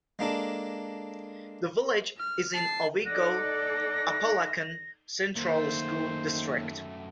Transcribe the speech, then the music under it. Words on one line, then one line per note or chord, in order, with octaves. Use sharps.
The village is in the Owego-Apalachin Central School District.
G#3 A#3 D4 A4
F6
A5 C7
D#4 A4 D5 F#5 A#6
F#2 D#3 A3 A#3 C5